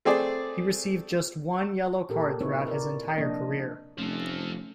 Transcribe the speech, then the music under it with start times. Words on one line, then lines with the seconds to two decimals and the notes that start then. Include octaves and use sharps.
He received just one yellow card throughout his entire career.
0.05 A3 C4 G#4 D5
2.09 A#2 G4 A4 A#4
2.41 C4 D#4 E4 B4 C#5
2.68 A#4 D5
3.18 C3 F3 A#3 D4 D#5
3.98 F1 F3 A3 C#4 A4